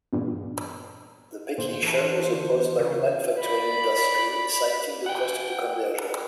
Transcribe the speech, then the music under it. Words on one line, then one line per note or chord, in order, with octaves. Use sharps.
The petition was opposed by the manufacturing industry, citing the cost of the conversion.
E2 G2 A#2
A#2 D3 C5
E3 A#4 A5
D3 C6
E2
C#3 G4 B4 C#5
D5 B5
F#5 G5